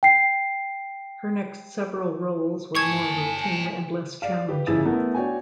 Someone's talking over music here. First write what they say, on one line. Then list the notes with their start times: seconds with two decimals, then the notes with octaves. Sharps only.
Her next several roles were more routine and less challenging.
0.03 G5 C7
2.75 C#5 G#5 A5 C#6 G#6
4.22 D5 F5
4.49 G4 B4
4.67 A1 C#3 F3 E4 G#4 A6
4.85 A3 B3 E4 A#4
5.14 D4 F#4 C#5 G5 G#5